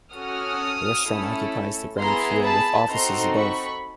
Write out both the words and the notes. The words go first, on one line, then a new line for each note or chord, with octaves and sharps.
A restaurant occupies the ground floor with offices above.
C#4 F#4 A4 D#6 F6
A3 C#4 E4 A4
B3 E4 G#4 A#5 C6
A5 B5
C4 D#4 F#4 A4 A#5 C6
B5 C#6